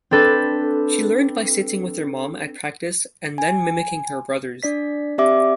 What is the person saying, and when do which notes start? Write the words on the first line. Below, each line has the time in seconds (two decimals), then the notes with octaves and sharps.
She learned by sitting with her mom at practice and then mimicking her brothers.
0.11 C4 D4 A4 B4
3.38 G#5
4.63 D4 D5 B6
5.18 C4 G4 D5 E5 D6